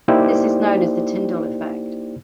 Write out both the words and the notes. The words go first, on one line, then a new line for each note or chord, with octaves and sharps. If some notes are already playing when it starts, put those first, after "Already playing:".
This is known as the Tyndall Effect.
A#3 D#4 E4 G4 C5 D5